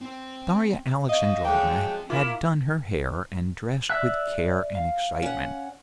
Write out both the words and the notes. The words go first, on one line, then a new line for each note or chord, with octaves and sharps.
Darya Alexandrovna had done her hair, and dressed with care and excitement.
C4 C5
C4 D#5 F5
F#3 G#3 A3 G5
A#3 E4 F4
D5 E5 F#6
F5
C#4 F#5